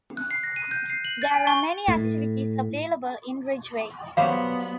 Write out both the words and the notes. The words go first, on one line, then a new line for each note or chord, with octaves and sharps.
There are many activities available in Ridgway.
F#6
C7
A#6
D#7
G6
C7
F#7
A6
G#5
C#6
A2
F#3 G3 B3 C5 F5